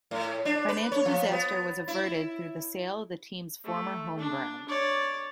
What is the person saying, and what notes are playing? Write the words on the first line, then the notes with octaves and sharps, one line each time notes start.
Financial disaster was averted through the sale of the team's former home ground.
A2
D4
B4
C#5
F3
B3
E4
A3
D4
C#5 D5